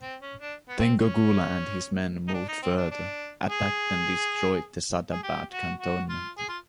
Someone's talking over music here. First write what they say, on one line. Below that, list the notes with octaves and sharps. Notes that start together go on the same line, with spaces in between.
Then Gokula and his men moved further, attacked and destroyed the Sadabad cantonment.
C4
C#4
D4
B3
C4
C#4
D#4
D4
D#4
C4
D4
D4
G#4
G#4
G4
F#4
F#4
F4
G#4
F4